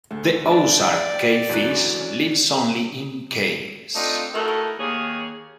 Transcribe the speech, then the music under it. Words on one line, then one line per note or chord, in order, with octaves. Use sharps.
The Ozark cavefish lives only in caves.
D2 A3
D3 D5
C5 E5
G5
E2 D3 E3 F#3 F#6
C#4
A3 C4 D4 D#4 F4
A3 D#4 E4 F#4 A4 A#4
D#2 G#4 C#5